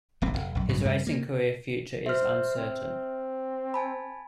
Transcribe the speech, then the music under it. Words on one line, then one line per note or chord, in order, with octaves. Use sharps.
His racing career future is uncertain.
D1 A#1 C4
F1
B1 F#2
A1 G2 B2 F#3
F#2 G3 C4
A#3
C5 E5 F6
C4
G#5 A5 B5